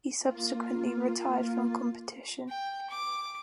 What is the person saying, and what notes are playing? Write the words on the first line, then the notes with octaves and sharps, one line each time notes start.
He subsequently retired from competition.
A#3 F4
G5
D6